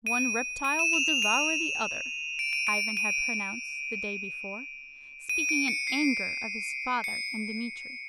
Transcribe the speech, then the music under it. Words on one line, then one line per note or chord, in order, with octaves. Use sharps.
"One reptile will devour the other," Ivan had pronounced the day before, speaking in anger of his father and Dmitri.
D#7
D#7
E7
F7
F7
D#7
D7
D#7
D7
D#7
D#7
D7
C#7
C7
C#7